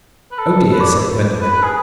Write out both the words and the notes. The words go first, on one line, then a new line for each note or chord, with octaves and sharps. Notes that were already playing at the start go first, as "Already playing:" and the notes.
"Oh dear!" said Gwendolen.
B4
A4
B4
D5
B4
B4
G#4